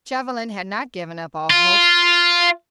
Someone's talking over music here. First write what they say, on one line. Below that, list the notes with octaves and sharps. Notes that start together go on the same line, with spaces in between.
Chauvelin had not given up all hope.
F4